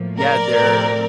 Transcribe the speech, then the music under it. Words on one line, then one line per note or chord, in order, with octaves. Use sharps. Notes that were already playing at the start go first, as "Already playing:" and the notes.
Yeah. There
Already playing: A2 F3 A#3
A#4 D5
A2 F3 A3 C4